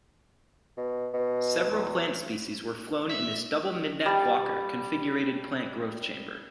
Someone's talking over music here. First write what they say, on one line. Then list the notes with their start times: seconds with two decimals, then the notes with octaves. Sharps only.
Several plant species were flown in this double middeck locker configurated plant growth chamber.
0.77 B2
1.14 B2
1.71 E2
3.10 E5
4.06 G3 A5